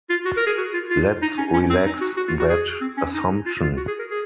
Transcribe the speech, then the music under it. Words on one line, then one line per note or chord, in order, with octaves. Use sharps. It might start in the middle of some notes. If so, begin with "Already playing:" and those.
Let's relax that assumption.
F4
F#4
A#4
G#4
F#4
F4
F4
D#4
C#4
C#4
C4
D#4
F#4
F#4
F4
F#4
G#4
C4
C#4
D#4
F4
F4
F#4
G#4
A#4
G#4